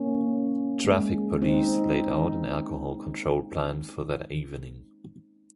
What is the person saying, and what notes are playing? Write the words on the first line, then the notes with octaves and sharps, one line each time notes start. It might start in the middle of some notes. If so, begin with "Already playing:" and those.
Traffic police laid out an alcohol control plan for that evening.
Already playing: A#3 C#4
G#3
C4 D#4